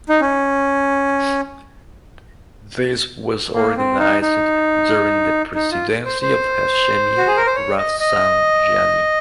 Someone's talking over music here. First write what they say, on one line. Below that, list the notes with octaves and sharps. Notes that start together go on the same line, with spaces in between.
This was organized during the presidency of Hashemi Rafsanjani.
D#4
C#4
A#3
C4
D#4
D#4
D#4
F4
C5
C5
F#4
G#4
A#4
C5
C#5
D#5
D#5